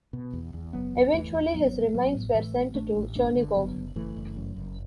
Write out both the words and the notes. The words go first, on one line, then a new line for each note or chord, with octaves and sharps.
Eventually his remains were sent to Chernigov.
B2
E2
E2
F#1 F#3 B3
E2
E2 E3 A3
E2
A1 F#3 B3
A1
A1 F#3 B3
A2
A2 E3 A3
A1
A1 A3 D4
A1
F#1 A3 D4
D3
F#1 F#3 B3
F#1
F#1 E3 A3
F#1
F#2
F#1